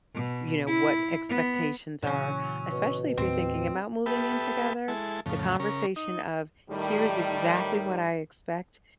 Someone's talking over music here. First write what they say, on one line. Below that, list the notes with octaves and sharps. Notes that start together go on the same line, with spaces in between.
you know, what expectations are especially if you're thinking about moving in together, the conversation of, "Here is exactly what I expect,"
B2
E4
B3
A#2 C#3 E3 F#3 C#4
B2
D#2 A2 D#3 C4
B3 G4 A4 B4 E5
G#3 E4 A4
F2 A2 C#3
C#3 C#4 A#4
D#4
A2 D#3 G3